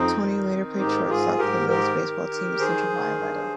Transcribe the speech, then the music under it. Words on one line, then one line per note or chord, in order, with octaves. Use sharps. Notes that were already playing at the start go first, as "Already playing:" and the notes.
Tony later played shortstop for the Mill's baseball team, Central Violeta.
Already playing: F2 C4 D#4
D#3
D#3
G#2 D#4 G4
G#2 F4 G#4
G#2 G4 A#4
D#3 G4 A#4
D#3
D#3
D#3 G#4 C5
D#3
G2